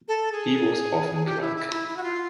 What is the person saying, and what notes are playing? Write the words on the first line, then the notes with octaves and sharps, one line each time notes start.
He was often drunk.
A4
G#4
G4
E4
E4
E4
E4
F#4
F4